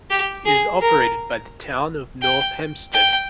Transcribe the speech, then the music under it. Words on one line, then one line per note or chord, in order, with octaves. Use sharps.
It is operated by the Town of North Hempstead.
G4
G#4
A#4
G5
G5